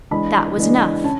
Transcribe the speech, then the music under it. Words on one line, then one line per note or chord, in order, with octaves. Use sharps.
That was enough.
E3 G#3 D4 B5
E3 G#3 D4
C#4 A5